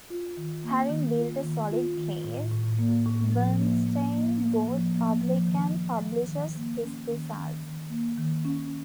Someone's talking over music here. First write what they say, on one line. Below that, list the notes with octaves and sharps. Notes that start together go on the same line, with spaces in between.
Having built a solid case, Bernstein goes public and publishes his results.
F4
D#3
A#3
D#3
F4
D#3
F4
D#3
A2
A2
A#3
A2
F3
A#3
A#3
A#3
A#3
F3
A#3
F3
D#3
D#3
D#3
D#3
A#3
C#4
D#3
D#3
D#3
A#3
D#3
C#4